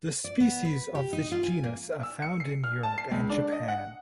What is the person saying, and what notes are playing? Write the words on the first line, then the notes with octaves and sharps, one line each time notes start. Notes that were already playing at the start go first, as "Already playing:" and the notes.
The species of this genus are found in Europe and Japan.
D5
B3
B4
G4
D#4
F4
G#5
A#3
E6
C#7
C7
F6
A5
C7
C#2
D4
D#5
F#5